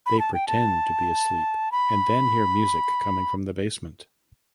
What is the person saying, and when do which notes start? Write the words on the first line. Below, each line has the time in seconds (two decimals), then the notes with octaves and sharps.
They pretend to be asleep and then hear music coming from the basement.
0.06 B5
0.19 A5
0.34 G5
0.48 A5
1.72 B5